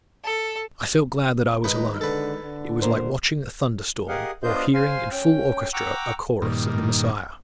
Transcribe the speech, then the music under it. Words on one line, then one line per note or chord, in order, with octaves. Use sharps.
I felt glad that I was alone: it was like watching a thunderstorm, or hearing in full orchestra a chorus of the Messiah.
A4
D#3 G#3 D#4 B4
D3 A4 B4
D3
A#2 A#4 C5
G4 G#4 A#4 D#5 F5 F#5
B3 D4 F4 C5 D#5 G6
C5 F5 G#5 C6
C#4 G5
F#5 G5 A#5 C#6 D6 E6
G2 A#2 D#3